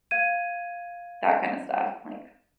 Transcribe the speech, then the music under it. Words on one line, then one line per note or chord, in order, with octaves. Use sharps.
that kinda stuff, like
F5 G#6 D#7